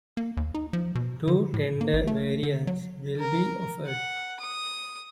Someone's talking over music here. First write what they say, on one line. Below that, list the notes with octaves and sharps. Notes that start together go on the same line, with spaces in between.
Two tender variants will be offered.
A#3
D#2
D#4
F3
B2
D3
A2
A#3
A1
A3
D3
F#3
A#4
F#5
D#6